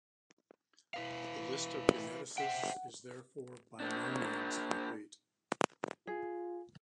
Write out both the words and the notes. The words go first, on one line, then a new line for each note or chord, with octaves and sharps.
This list of geneticists is therefore by no means complete.
E4 B4 F5
C5 E5 F#5 G5
A#3 D4
F4 G#4